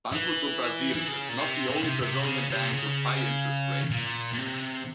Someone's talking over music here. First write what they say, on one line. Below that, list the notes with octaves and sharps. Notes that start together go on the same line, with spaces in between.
Banco do Brazil is not the only Brazilian bank with high interest rates.
E3
E3
C#3
A#2
C3
C3
C#3
C3
C3
C#3
C3
C#3
A#2
A#2
C3